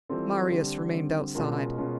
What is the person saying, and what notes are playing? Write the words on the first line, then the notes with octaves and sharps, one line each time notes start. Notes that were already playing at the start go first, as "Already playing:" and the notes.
Marius remained outside.
E3 G3 C4 F4 A4
D3 G3 C4
D3 G3 C4
B2 G#3 C#4 F4 A#4
B2 G#3 C#4 F4 A#4